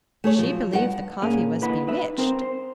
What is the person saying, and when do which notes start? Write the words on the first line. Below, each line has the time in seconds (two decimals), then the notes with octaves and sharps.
She believed the coffee was bewitched.
0.24 A3 G#4 C#5
0.39 F3 F#3
0.73 G2 F#5
1.22 A#2 A#3 C#4 G#4
1.62 D3 E4 B4 D#5 F#5 B5
1.87 D#4 B4 E5
2.18 C4 A#4 C5
2.42 C5